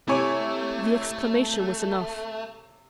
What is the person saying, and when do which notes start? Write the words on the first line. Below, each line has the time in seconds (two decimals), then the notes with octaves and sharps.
The exclamation was enough.
0.08 C3 A3 E4 C#5 G#5 D6